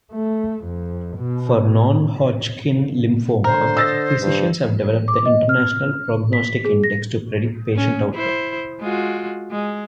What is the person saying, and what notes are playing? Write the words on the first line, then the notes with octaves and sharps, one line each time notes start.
For Non-Hodgkin lymphoma, physicians have developed the International Prognostic Index to predict patient outcome.
A3
F2
B2
D3 A#4 C5
D#5 E6 A6 A#6
G2
D6
D#5
F6
B6
G#4
A#6
C#4
E4 C5
G#3 F4 F#4
G#3